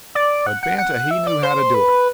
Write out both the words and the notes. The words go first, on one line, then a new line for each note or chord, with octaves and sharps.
But Banta he knew how to do it.
D5
F#5
F#5
F#5
E5
D5
C5
B4